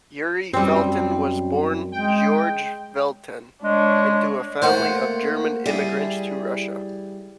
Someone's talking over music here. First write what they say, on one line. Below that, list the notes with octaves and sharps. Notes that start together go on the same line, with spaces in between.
Yury Felten was born Georg Veldten, into a family of German immigrants to Russia.
F#2 G3 C4
G#3 G5
G#3 D4 C#5
A3 A#3 A#4 C5 F#5
G3 E4 G#4